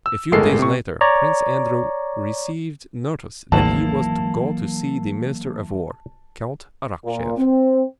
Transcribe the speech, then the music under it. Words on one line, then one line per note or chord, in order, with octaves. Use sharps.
A few days later Prince Andrew received notice that he was to go to see the Minister of War, Count Arakcheev.
E6
G1 A2 G#3 A4 A#4 C7
C3 C#6
C#5 D5 A#5
G#1 D2 G#2 E3 F#3 A#3 E4 A5
A#2
C4